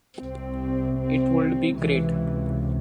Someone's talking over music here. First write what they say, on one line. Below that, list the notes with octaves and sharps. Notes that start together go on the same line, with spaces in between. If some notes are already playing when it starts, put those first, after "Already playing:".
It would be great.
C2 C3 C4
C4
C#2 C3 E3